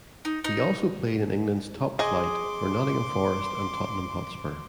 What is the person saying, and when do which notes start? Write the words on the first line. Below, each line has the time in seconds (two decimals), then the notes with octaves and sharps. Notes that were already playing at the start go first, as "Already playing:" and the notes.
He also played in England's top flight for Nottingham Forest and Tottenham Hotspur.
0.25 D#4
0.44 D#4
1.99 G#4 D#5 C6 D6